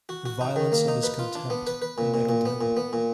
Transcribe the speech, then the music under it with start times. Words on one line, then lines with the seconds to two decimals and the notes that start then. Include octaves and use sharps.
The violence of his contempt nettled him.
0.09 F#4
0.26 F#4
0.41 D#4
0.56 D#3
0.72 A#3
0.88 D#4
1.03 B4
1.19 F4
1.35 D4
1.50 B3
1.67 B4
1.82 B4
1.98 A#2
2.14 A#2
2.29 A#2
2.46 B3
2.61 A#2
2.77 B3
2.93 A#2